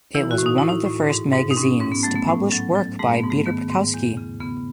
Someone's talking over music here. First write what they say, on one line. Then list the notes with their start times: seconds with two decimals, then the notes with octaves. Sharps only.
It was one of the first magazines to publish work by Peter Bakowski.
0.15 E3 E4
0.31 F#4
0.38 A2
0.46 D#4
0.58 A2 E4
0.69 D#4
0.86 A2
1.10 G#2
1.33 G#2
1.51 D#4
1.57 G#2 C#4
1.80 G#2 C#4
1.92 B3
2.03 F#3 A3
2.16 B3
2.28 A2
2.52 F#3
2.75 F#3
2.99 G#2 A3
3.15 B3
3.23 G#2
3.30 A3
3.46 D#3 B3
3.70 G#2
3.94 E2
4.17 C#3
4.40 C#3 B3